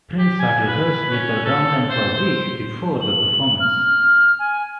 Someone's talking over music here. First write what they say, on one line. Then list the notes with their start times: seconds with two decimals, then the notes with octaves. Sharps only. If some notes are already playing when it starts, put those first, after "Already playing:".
Prince had rehearsed with the drum line for a week before the performance.
0.19 G4
0.39 G#5
0.68 B4
1.11 C#4
1.45 A4
1.89 C5
2.14 C5
3.01 F#7
3.60 F6
4.39 G#5